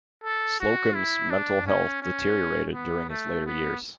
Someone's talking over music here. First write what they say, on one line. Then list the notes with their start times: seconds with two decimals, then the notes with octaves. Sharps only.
Slocum's mental health deteriorated during his later years.
0.24 A4
0.60 F#4
0.95 E4
1.30 D4
1.66 C#4
2.02 C#4
2.73 B3
3.09 A3
3.46 B3